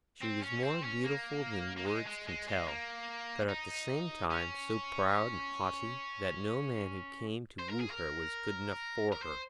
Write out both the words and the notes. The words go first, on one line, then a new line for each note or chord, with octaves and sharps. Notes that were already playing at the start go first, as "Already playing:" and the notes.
She was more beautiful than words can tell, but at the same time so proud and haughty that no man who came to woo her was good enough for her.
C4
C#4
C4
C#4
A#3
A#3
G#3
G#3
G#3
G#3
A#3
D#4
C#4
C5
A#4
G#4
A#4
A#4
C5